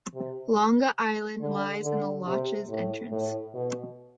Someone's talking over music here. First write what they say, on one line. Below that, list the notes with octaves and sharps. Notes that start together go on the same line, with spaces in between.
Longa Island lies at the loch's entrance.
C3
D3
D3
C3
A2
A2
B2